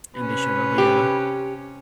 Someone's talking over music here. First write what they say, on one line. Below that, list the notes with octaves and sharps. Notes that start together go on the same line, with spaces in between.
And they should've, but yeah.
C3 C#4 B4
G4